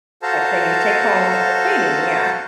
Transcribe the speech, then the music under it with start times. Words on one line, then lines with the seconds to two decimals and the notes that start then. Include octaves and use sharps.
type thing, and take home a painting, yeah.
0.22 F#4 A4 C5 F5 A5 A#5